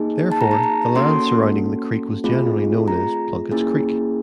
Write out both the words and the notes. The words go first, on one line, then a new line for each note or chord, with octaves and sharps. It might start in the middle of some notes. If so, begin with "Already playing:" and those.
Therefore, the land surrounding the creek was generally known as "Plunketts Creek".
Already playing: A#3 D#4 G#4
A5
A#5
A5
A#5
A#3 C#4 F#4 A4 C6
A3 C4 F4 G#4
A#5
A#3 C#4 E4 G#4